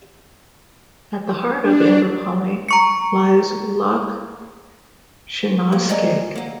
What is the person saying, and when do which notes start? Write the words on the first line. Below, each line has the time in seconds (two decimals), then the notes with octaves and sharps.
At the heart of Inverpolly lies Loch Sionascaig.
1.61 D4
2.69 A#5 C#6 C#7
5.72 A#3
5.89 G3 G#3 F#4 D5 G#5 A#5
6.35 F#3 A#3